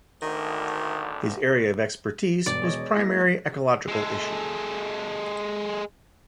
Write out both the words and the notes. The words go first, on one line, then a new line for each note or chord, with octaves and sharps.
His area of expertise was primary ecological issues.
G#1 D2 D#3
E1 G2 D5
G#4 C#5 D#5
G#3 A#3 E4 A#6
G#3 A4